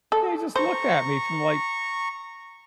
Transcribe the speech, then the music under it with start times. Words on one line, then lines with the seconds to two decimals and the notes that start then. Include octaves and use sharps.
Yeah, he just looked at me from, like,
0.12 A4
0.56 C5 A#5 C#6